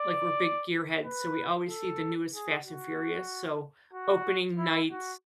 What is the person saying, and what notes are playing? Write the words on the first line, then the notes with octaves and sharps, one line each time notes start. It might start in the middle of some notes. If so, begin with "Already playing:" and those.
like we're big gear heads, so, we always see the newest Fast& Furious. So, opening night,
Already playing: D5
B4
A4
G#4
F#4
F#4
E4
F#4